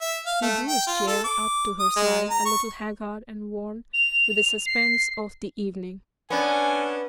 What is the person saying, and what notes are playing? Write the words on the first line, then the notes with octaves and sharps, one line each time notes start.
He drew his chair up to her side, a little haggard and worn with the suspense of the evening.
E5
F5
A3
G5
F4
A4
D6
D#6
G#3
A#5
C#6
F7
C7
B3 C#4 D4 G#5